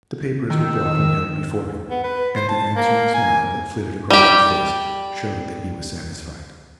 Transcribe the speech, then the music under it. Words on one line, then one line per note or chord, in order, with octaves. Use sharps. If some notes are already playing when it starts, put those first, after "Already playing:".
The papers were brought and held before him, and the answering smile that flitted across his face showed that he was satisfied.
D#3 E6
B3
B4
C5
A5
A#3
G#5
G3 G4